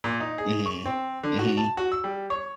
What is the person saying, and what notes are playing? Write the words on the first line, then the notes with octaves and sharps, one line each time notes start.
Mhm, mhm.
A#2
D#4
G#4
C#6
C4
D3
F#4
A5
F#4
E6
G3
C#5